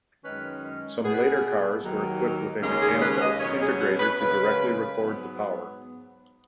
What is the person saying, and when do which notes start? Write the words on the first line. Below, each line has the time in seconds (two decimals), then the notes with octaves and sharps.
Some later cars were equipped with a mechanical integrator to directly record the power.
0.24 F#2 D#3 G#3 C#4 B4
1.04 B2 B3 G#4
1.11 B4
1.21 G#4
1.82 D#2 D#3 F#3
2.61 D#2 C#3 G#3 C#4 D#4
2.81 G#4
3.01 B4
3.21 D#5
3.40 B2 F#3 C#4 C#5
3.60 G#4
3.80 F#4
4.00 B4
4.19 F#2 C#3 G#3 B4
4.99 G#2 F#3 B3